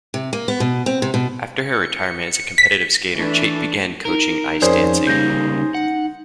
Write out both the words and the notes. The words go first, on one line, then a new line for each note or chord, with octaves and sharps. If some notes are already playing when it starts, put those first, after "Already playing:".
After her retirement as a competitive skater, Chait began coaching ice dancing.
C3
A#3
B3
B2
C4
C3
B2
C#7
B6
E3 A3 D4
D#4 A#4
F2 C#4 G#4 A#4 C5 D5
C#3 G3 A#3 G6 A#6
F#5